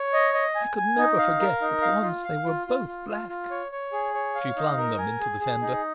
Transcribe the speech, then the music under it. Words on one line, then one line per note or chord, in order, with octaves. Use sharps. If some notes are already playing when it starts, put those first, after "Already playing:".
"I could never forget that once they were both black." She flung them into the fender.
Already playing: C#5
D#5
D#5
G#5
G#5
D#4
F5
A#4
D#4
F5
F4
F5
F4
F4
F4
F4
F4
C#5
C#5
G#4
C#5
F5
D#4
A#4
G#5
G#4
G#4
D#4